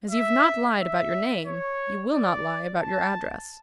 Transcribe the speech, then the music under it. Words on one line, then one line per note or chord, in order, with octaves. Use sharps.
As you have not lied about your name, you will not lie about your address.
E5
E5
C#5
D5
A5